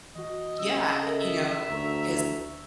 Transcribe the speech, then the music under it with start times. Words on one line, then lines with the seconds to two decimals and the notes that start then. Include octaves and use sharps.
yeah, you know, it's,
0.16 E3 F#4 D#5
0.60 C#3 G3 E6
1.02 A4 A#4 E5
1.70 D2 A#5 C#6